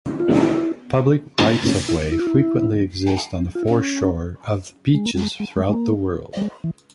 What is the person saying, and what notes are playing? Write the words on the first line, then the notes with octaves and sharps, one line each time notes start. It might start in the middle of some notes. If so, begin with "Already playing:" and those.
Public rights of way frequently exist on the foreshore of beaches throughout the world.
F4
E4
C#4
E4
E4
F4
E4
F4
E4
C#4
G#3
A#3
G3
G#3
G#3
G#3
G#3
A#3
G3
G#3
E3